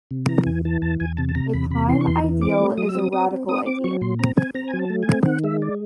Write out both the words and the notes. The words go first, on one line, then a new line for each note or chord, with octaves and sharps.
A prime ideal is a radical ideal.
C3
E3 A#5
E2 G#5
E3 A5
E2 A5
E2 G#5
C3 A5
A5
C3 A#5
E2 B5
C3 B5
E3 C6
C#6
E2 C6
E3
C4 D6
A3
F#3 D#6
E6
C4 D#6
C4 D#6
C4
C4 D#6
C4 D6
F#3 C#6
A#2 C6
C4 A#5
C4 G#5
C4 A#5
G#5
F#3
A5
A3
G#5
C4
D#3 F#5
G#3 E5
D5